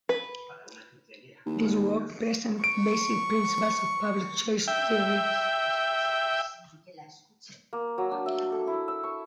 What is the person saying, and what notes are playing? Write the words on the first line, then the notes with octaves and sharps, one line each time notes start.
This work presents the basic principles of public choice theory.
B4
D#2
C#6 D7
E5 G5
A#3
F#3
D4
E5
A4
E4
E6
C#6